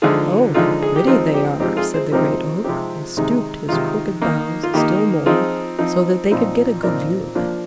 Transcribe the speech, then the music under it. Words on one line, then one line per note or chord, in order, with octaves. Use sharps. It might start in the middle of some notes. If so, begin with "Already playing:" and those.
"Oh, how pretty they are!" said the Great Oak, and stooped his crooked boughs still more, so that they could get a good view of them.
D3 F3 G#3 D#4 F4 G#4
D3 F3 G#3 D#4 F4 G#4
G#4
G4
F3 G#3 C4 D#4 F4
G4
F3 G#3 C4 D#4 G4
F4 G#4
G#4 C5
C3 F3 G#3 C4 D#4 G4 A#4
C3 F3 G#3 C4 D#4 G4
C3 D#3 G#3 D#4
C3 D#3 G#3 D#4 F4
D#3 A#3 D#4
F4
D#3 A#3 D#4 G4
F3 C4 D#4 F4 G#4
F3 C4 D#4
A#2 F3 C4 D#4
A#2 F3 C4 D#4 A#4 D5
F3 A#3 D4